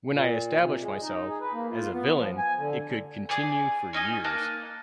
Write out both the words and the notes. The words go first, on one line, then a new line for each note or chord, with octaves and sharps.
When I established myself as a villain it could continue for years.
A#2
C3
G#3
D#4
G#4
B4
A#3
F4
B3
F3
G#5
D3
G#4 D5 G#5
C#4 D#4 D#5 G#5
A#3 D#4 A5 F#6